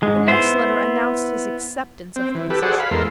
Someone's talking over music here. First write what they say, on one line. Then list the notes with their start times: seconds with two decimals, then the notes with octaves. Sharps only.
The next letter announced his acceptance of the position.
0.03 G#2 G#3
0.28 B3 E4 C5
2.16 C4
2.35 E3
2.50 G4 A4 B4
2.62 F#4 G#4 A4 C5 D5 F#5
2.80 F5 B5
2.91 E2 G#3 A4 A#4 C6